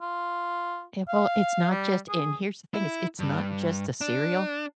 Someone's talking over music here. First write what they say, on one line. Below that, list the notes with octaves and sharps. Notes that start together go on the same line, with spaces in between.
It well, it's not just and here's the thing is it's not just the cereal,
F4
F5
G3
G#4
E4
G2
D4